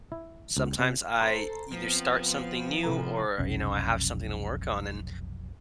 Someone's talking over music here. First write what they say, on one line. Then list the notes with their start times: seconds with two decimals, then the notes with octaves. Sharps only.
sometimes I either start something new or, you know, I have something to work on and,
0.12 E4
0.57 C#2
0.79 C3
1.20 A4 C5 A#5 C6
1.72 F3 B3 C4
2.83 A2 C3 A3 A#5
3.38 F1 B1 C#4